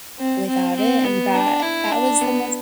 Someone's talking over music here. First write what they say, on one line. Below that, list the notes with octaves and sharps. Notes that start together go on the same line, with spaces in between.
without it, and that that was the most
C4
C4
C4
B3
D4
E4
D4
B3